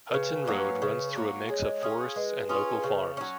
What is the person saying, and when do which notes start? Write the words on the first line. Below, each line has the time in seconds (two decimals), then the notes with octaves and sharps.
Hudson Road runs through a mix of forests and local farms.
0.09 A#4
0.14 C#3 B4
0.47 F#3 A#3 C#4
0.82 C#3
1.16 F#3 A#3 C#4
1.49 G#3 C#5
1.82 C#4 F4 G#4
2.16 G#3 B4
2.49 C#4 F4 G#4
2.84 C#3
3.17 F#3 C#4